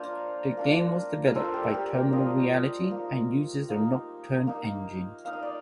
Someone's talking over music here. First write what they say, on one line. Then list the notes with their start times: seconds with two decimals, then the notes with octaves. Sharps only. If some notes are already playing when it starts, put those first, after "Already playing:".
The game was developed by Terminal Reality and uses the Nocturne Engine.
Already playing: A#3 D4 F4 A#4 C5
0.57 A#3 D4 F4
1.26 A#4
1.34 A#3 D4 F4 A4 C5
1.54 G4 A#4
1.74 G4 A#4
1.93 A#4 D5
2.12 A#3 D4 F4 C5 D#5
2.91 A#3 D#4
3.69 A#3 D#4
4.47 A#3 D#4
5.25 A#3 D#4 F5
5.33 D#5
5.42 D5